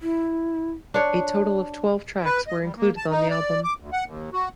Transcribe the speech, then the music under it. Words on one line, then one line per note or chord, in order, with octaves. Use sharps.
A total of twelve tracks were included on the album.
E4
D4 C#5
B4
D#5
G3
A#3
A5
D#4
D5
D6
D2
F#5
D#2
F#4